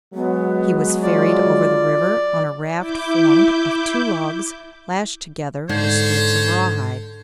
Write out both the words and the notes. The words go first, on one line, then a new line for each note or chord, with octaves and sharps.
He was ferried over the river on a raft formed of two logs lashed together with strips of rawhide.
F#3 G#3 B3
F4 D5
E4 D6 G6
G#2 D3 C5 C#5